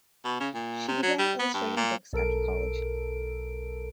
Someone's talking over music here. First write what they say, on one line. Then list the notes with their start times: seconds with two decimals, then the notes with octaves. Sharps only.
She began illustrating books after college.
0.25 B2
0.40 C#3
0.54 A#2
0.88 C3
1.03 F#3
1.18 G3
1.39 B3
1.53 G2
1.76 A#2
2.13 B1 A4 A#4 D7